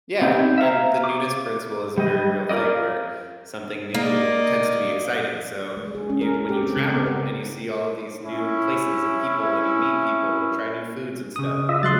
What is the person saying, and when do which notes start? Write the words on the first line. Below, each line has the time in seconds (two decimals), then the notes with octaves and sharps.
Yeah, and the newness principle is a very real thing where, something new tends to be exciting. So, you when you travel and you see all of these new places and people and you meet people and try new foods and stuff,
0.22 B3 C4 D#4 G4
0.58 E5 F5 A#5
1.04 D6
1.98 G3 D#5
2.49 F4 A#4 D5 D#5
3.94 A#3 D5 D#5
5.77 G#3
5.95 G#4
6.10 C#4
6.21 A#4
6.34 A4
6.49 G4
6.63 C4
6.77 C#3
6.92 B3
7.06 A#4
8.25 C#4 E4
11.36 C#3 D#6
11.69 F4 D#5 E5
11.83 F#3 G#3 C6 F#6 A6